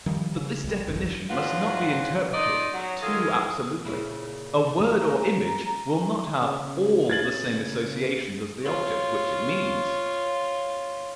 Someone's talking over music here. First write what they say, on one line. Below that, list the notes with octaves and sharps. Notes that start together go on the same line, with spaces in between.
But this definition must not be interpreted too absolutely: a word or image will not have ALL the same associations as the object which it means.
D#3 F3 G3
C#3
C2 G3
G#1 F2 C3
G#2 F#3 D4 F4 B4 F#5
D#4 F4 D5 D#5
F#3
D#3 G#3 F4 G#4 A4
A#2 C#3 E4
A3 A#5
C#3
G#6 A6 F#7
F4 C#5